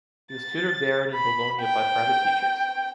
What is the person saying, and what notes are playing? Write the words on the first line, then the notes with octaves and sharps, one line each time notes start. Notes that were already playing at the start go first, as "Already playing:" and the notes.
He was tutored there and in Bologna by private teachers.
A6
B5
G5